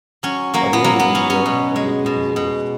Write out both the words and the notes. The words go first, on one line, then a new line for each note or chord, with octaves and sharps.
By the end of the year, the group had dissolved.
F#3 C#4
F#3 A#3
B3
F#3 A#3
B3
F#3 C#4
C#4
B2
G#3
B2
B2